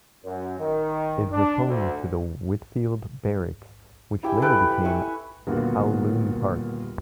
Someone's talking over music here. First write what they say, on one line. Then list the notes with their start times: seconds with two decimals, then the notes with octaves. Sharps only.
It was home to the Whitfield Barracks, which later became Kowloon Park.
0.24 F#2
0.58 D#3
1.31 D4
1.66 D2
4.23 E4 G4 G5 G#5
4.42 A4 B4 G5
4.70 B5
4.85 E5 G#5 C#6
5.47 D#1 D3 A#3 B3 F#4